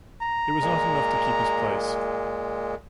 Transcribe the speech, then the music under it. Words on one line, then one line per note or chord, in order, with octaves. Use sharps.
It was not enough to keep his place.
A#5
A#2 G#3